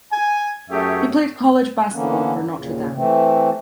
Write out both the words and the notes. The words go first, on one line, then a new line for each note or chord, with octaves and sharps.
He played college basketball for Notre Dame.
G#5
F#2 A3 G4 G#4 C#5 E5
D3 E3 A#3 B3 C#4
D#2 A#2 C#3
E3 A3 C4